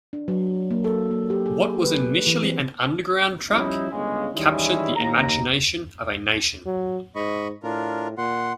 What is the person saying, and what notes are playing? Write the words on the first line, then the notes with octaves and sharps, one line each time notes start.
What was initially an underground track captured the imagination of a nation!
D4
F#3
A#3
A4
A#3
G4
G#4
B4
E3
C4
F3 G3 C#4 D#4 E4
G1 C#3 G#3
D#3 E3 G3 G#3 C#4 E4
D#2 A#5
F#3
G#2 D#5 B5 C#6
A2 D4 F4 A#4
A#2 F#5 C6